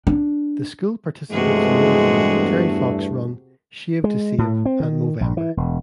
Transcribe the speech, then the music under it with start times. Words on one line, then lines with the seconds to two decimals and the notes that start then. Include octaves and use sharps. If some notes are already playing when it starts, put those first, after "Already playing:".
The school participates yearly in the Terry Fox Run, Shave to Save and Movember.
0.07 D4
1.31 E2 G2 C3 G#3 A3 F#4 G#4
4.04 G#3
4.38 A2
4.65 C4
4.80 D#3
5.21 A#1
5.37 E3
5.57 E1